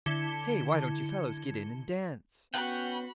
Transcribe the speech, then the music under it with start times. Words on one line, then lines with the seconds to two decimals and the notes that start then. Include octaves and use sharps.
"Say! why don't you fellows get in and dance?"
0.06 D3 E4 A5 G#6 C#7 G7
2.54 B3 C#4 F#4 F#5 G5 B5